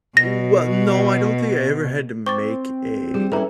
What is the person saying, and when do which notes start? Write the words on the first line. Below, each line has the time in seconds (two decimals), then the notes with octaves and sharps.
Well, no, I don't think I ever had to make a
0.17 B2 A#6
2.26 C4 C#6 D6 A6
3.14 G3 G#4
3.32 G3 C#4 D#4 E4 A4 B4 A#5